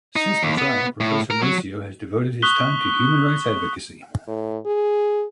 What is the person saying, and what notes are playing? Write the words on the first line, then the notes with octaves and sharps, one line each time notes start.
Since the trial, Professor Mauricio has devoted his time to human rights advocacy.
D#4
D#2
B3
A2
A#4
F#3
C#6 D#6 F#6 B6 G7
A2
G#4